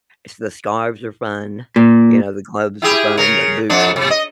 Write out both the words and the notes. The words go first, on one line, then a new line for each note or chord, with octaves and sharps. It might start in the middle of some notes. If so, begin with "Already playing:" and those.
It's the scarves are fun. You know, the gloves are fun. The boots are in sh
A#2
E4 G4 G#4
C#3 A#4
F2 D4
C3
D#5